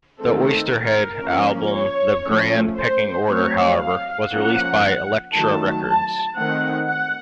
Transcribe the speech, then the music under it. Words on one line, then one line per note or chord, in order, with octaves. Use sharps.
The Oysterhead album "The Grand Pecking Order", however, was released by Elektra Records.
D#3 A3 C4 A4
A#4
F3 A#3 C#4
C#5
F3 A3 C#4
C5
F#3 A3 C4 C#5
F5
F3 A#3 C#4 F#5
D#3 F#3 A3 A5
A5
D#3 A3 C4 F#5
F#5